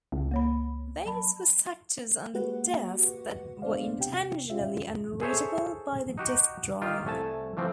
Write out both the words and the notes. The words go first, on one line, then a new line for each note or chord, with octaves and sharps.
These were sectors on the disk that were intentionally unreadable by the disk drive.
C#2
A#3 C#5 B5
F#3 A5 B5
G#3 A#3 F#4 G4 B4 F#5
G#3 B3 D4 C5 D5 F5
C3 G4 G5
C#4 F4 G4 E5
G#4 A4 C5 C#5 E5
D#4 F#4 G4
D#3 F4 G4
C2 A3 G#5 A5
E3 F3 A3 C4